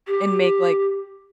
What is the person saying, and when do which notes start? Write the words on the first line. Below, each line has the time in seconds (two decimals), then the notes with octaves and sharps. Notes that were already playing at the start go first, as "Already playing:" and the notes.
and make, like,
0.07 G4